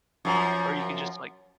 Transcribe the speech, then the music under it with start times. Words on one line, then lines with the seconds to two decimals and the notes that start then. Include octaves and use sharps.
Or you could just, like,
0.25 F#2 F3